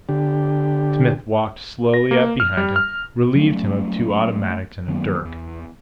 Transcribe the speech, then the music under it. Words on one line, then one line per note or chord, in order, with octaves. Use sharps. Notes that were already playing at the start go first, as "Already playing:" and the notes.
Smith walked slowly up behind him, relieved him of two automatics and a dirk.
D3 G4
A#6
A#3
F6
G3
F6
F#3 G3 A3 C#4
D#3 F#3 A#3 B3
E2